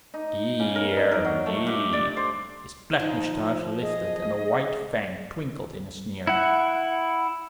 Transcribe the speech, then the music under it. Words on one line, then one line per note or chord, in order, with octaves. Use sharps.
"Dear me!" His black moustache lifted and a white fang twinkled in a sneer.
D#4
C#3
A#4
D#4
A#4
F#3
A3
G2
D5
C5
F3 D#4
G#4 D#5
E4 F#5